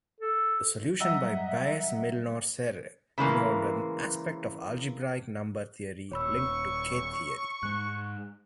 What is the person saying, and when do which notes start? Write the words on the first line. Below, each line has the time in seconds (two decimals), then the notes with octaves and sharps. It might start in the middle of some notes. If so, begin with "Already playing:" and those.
The solution by Bass-Milnor-Serre involved an aspect of algebraic number theory linked to K-theory.
0.21 A4
1.00 F#3 G3 D#5 E5 F#5 A#5 E6
3.18 C#3 E3 G#3 A#3
6.12 D#1 C#5 B5 C#6 E6
7.63 G#2 G#3 F#6